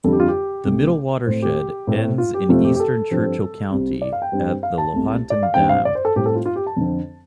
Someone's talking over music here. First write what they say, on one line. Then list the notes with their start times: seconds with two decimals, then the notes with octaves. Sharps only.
The middle watershed ends in eastern Churchill County at the Lahontan Dam.
0.04 F2 D3 G3 A4
0.13 G4
0.20 F4
0.28 G4
0.65 C2 C3 A3
1.26 A2 A3 C4 C5
1.42 G4
1.87 A2 A3 C4
2.18 F4
2.34 G4
2.49 F2 C3 A3 C4 F4
2.64 G4
2.75 G4
2.80 A4
3.11 G2 F3 C4
3.71 C2 C3 G3 C4
4.02 D5
4.13 F5
4.22 G5
4.32 G2 G3 C4
4.63 F5
4.78 A5
4.93 C2 C3 A3
5.30 D5
5.43 F5
5.54 G2 G3 C4 G5
5.69 F5
5.85 D5
5.95 C5
6.05 A4
6.16 A2 G3 C4 G4
6.26 A4
6.35 F4
6.46 F4
6.56 G4
6.67 A5
6.76 F2 D3 F3 C4